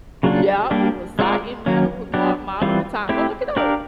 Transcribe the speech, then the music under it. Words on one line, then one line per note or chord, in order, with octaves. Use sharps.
Yep, it was si it matter with mod modern time, go look it up.
C#3 F#3 A#3 D4 F4
G3 A#3 D4 G4
G#3 C4 F4 A#4 D5
D#3 F#3 A#3 C#4
F#3 B3 D4 G4
E3 G3 C4 F4
A3 C4 E4 G4
D4 G4 A#4 D5 F5